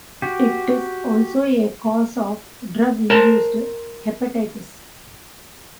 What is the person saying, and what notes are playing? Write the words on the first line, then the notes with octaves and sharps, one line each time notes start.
It is also a cause of drug-induced hepatitis.
F#4 G4
A#4 C5 A5